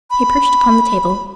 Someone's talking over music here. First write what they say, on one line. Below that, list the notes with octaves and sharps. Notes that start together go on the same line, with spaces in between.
He perched upon the table.
B5